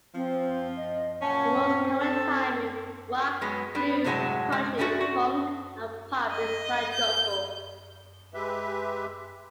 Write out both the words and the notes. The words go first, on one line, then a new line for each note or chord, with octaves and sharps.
The most common time in rock, blues, country, funk, and pop is quadruple.
F3 C4
D#5
F#2 A#2 C#4 A5
C4
A4
F#3 G#3 B3
G3 B3 D4
A2 C3 F#3 G#3 F#5 A5
G#3
A3 C#4 D4 E4 F#4 A4
F#4
D#5
G6
G#3 G4 B4 E5